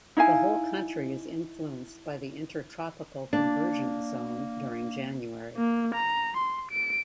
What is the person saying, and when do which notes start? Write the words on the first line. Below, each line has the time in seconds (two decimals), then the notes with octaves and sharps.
The whole country is influenced by the Intertropical Convergence Zone during January.
0.17 D#4 E4 F5 G#5
3.33 A#3 D4
5.57 A#3
5.95 A#5
6.37 C6
6.71 D7